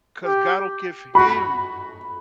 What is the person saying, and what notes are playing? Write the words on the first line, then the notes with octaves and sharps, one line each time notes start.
'cause God will give him
G4
F#4 B5